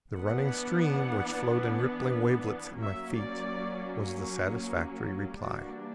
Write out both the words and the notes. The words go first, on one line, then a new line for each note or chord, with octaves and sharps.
The running stream, which flowed in rippling wavelets at my feet, was the satisfactory reply.
E3 B3 D4 F#5
F#3 A#3 C#4 E5
D5
E3 G3 A#3 D4 F#4